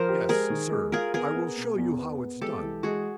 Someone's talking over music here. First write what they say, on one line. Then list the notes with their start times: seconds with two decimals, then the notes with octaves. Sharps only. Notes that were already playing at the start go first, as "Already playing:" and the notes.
Yes, sir, I will show you how it's done.
Already playing: F3 A#4 C5
0.09 G4
0.29 G#3 G#4 A#4
0.50 D#3
0.71 G#3
0.92 F4 G#4 A#4
1.14 B3 G#4 A#4
1.35 B3
1.57 B2
1.78 E2
1.99 B3
2.20 B3
2.41 G#3 G4 A4
2.62 E3
2.83 G#3 F#4 G#4